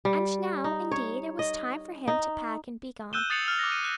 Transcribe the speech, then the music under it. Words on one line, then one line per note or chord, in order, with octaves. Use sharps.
And now, indeed, it was time for him to pack and begone.
G3
D#4
C#5
D#5
D#4
E6 F#6 G6 D#7 E7 G7
D#6 A6 C7 C#7 F7 F#7
F6 F7
D6 A#6
D#7
F#6 D#7